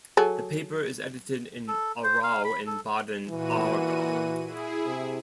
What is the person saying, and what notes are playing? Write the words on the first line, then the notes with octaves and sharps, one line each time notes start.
The paper is edited in Aarau and Baden, Aargau.
F#3 G#4 A4
A4
C5
F5
B5
A4
A#2 E3 F#4 D#7
E4 G#4
C3